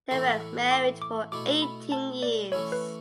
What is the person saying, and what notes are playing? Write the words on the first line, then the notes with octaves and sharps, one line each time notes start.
They were married for eighteen years.
A2 E3 A3 E4
D6
D6
B2 A3 E4 D6
B5
A5
D5
E3 A3 C#4 E4 C#5
B4